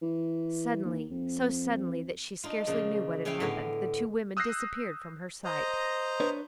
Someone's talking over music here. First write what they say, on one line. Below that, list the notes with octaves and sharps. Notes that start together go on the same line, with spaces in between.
Suddenly, so suddenly that she scarcely knew what had happened, the two women disappeared from her sight.
E3
D#2
F2
D4 D#4 F4
A#2 C#3 F3
C#3 C#4 E4 C#5 F5 G5
A2 D3 B3 F5 G#5
D#6 E6 F#6 G6 A#6 C7
C5 D#5 A#5
D4 B4 C#5